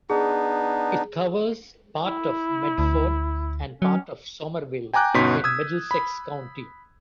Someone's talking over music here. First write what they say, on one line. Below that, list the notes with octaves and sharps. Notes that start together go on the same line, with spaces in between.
It covers part of Medford and part of Somerville in Middlesex County.
B3 D4 D#4 G#4
E4
D2
F#3 C#4
G5 G#5 A#5 D6 F#6 G6
G1 B2 C#4 D#4 C6 B6
D#6 E6 G#6
B5